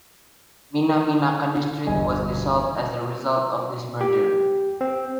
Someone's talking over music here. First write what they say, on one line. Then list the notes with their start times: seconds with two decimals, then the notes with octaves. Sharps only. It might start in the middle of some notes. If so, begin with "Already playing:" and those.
Minaminaka District was dissolved as a result of this merger.
1.87 G1 E2 G2 D#5 G#5
4.01 G4
4.81 C4